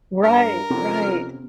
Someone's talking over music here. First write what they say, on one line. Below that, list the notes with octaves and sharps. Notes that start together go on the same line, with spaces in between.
right, right.
G2 A#4
F2 C3 B3 C#4